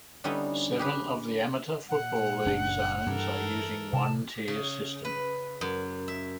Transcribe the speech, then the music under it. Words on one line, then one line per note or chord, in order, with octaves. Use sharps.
Seven of the Amateur Football League zones are using one-tier system.
D3 G3 B3 C#4 D#4 E4
G4 G#4 B4
A#2 F#5
F#1 C#4 D4
G2 E3 A4 A#4
C3 A5
C#3
B4
F#2
E5